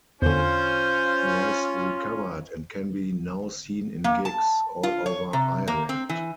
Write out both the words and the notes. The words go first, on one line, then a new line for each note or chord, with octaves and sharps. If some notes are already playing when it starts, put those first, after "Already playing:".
He has recovered and can be now seen in gigs all over Ireland.
E2 D3 C#4 F4 C5
A#3
A5
F4
C#5
C3
A#3
C4
E3